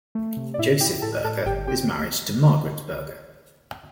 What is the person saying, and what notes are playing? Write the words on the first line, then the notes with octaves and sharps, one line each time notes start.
Joseph Berger is married to Margeret Berger.
A3
C3
D5
A2 E4 E5
E4 G4 G5
A2 A4 A5
A2 A4 A5
G1 G4 G5
C4 G4 G5